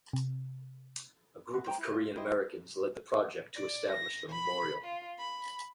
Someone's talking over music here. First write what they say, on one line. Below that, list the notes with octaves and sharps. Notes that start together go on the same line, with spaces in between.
A group of Korean Americans led the project to establish the Memorial.
C3
F#4
C5 G5 G#5 A#5
E4
F4
E4 G4 C5 D#5
D5
A#6
B5
F4
B5